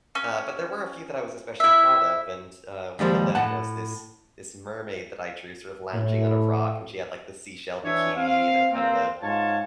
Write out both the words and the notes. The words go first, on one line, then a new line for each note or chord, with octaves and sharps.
Uh, but there were a few that I was especially proud of, and, uh, one of them was this this mermaid that I drew sort of lounging on a rock, and she had, like, the seashell bikini, you know, kind of the,
C#4
E4 E5
D#2 F3 G3 G#3
A2 F#5 A5
A2
E3 D4 C#5 E5
C4 F5
A#3 C4
G#2 F4 C#5 A5